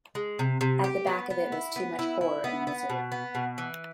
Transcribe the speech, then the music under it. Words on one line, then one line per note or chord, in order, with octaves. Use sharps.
At the back of it was too much horror and misery.
G#3
C3
C3
G4
B3
B3
E4
B3
E4
E4
B3
B3
B2
B3
B2
E3